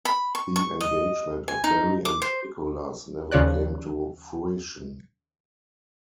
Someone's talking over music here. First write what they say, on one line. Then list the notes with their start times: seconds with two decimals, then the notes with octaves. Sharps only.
The engagement of Mary and Nicholas never came to fruition.
0.05 B5
0.35 C#6
0.56 C#6
0.81 D#5
1.48 G#5
1.64 D#4
2.05 D6
2.22 C5
3.31 D#2 C#3 F3 C#5 D5 F#6